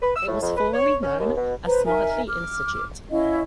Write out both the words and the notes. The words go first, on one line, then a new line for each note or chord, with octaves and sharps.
It was formerly known as Smartly Institute.
B4
E6
A2
F2
B4
C#5
C#4
D#2
B2
B4 C5 A#5
D#4 A#4 E5 G#5
D6 F6
C#4 E4 D#5 F5